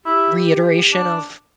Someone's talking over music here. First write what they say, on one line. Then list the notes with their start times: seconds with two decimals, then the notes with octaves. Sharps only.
reiteration of
0.05 E4 G4
0.93 D4